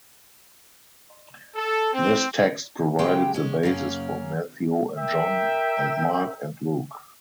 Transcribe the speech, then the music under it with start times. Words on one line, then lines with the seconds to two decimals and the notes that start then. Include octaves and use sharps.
This text provided the basis for Matthew and John and Mark and Luke.
1.55 A4
1.94 C4
2.99 C#3 F#3 G#3 G4 G5
3.34 G#3 C#4
3.63 F#2 C#3 A#3 C#4
4.98 A#4 E5 G5